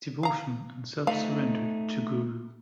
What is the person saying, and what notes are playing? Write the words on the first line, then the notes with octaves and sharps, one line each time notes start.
Devotion and self-surrender to guru.
F5 A#5
A3 D#4 F5